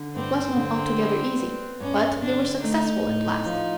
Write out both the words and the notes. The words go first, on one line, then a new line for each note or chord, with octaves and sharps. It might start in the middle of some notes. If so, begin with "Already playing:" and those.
It was not altogether easy, but they were successful at last.
Already playing: D3
G2 C4
D3
G3
B3
G2 C#4
D3 D4
A3 D#4
A2
F3